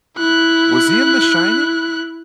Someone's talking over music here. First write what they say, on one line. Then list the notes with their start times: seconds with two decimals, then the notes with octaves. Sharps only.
Was he in The Shining?
0.17 E4 F#6